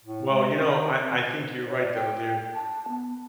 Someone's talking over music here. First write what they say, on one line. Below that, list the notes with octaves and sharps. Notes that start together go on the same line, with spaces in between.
Well, you know, I I think you're right though, there
A2
G#3
C#4
D#3
C4
C5
C#5
D5
G5
A5
B3